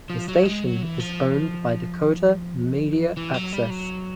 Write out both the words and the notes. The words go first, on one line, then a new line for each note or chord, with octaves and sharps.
The station is owned by Dakota Media Access.
F3
F#3
G#3
F#3
E3
F3
E3
F#3
G3
F#3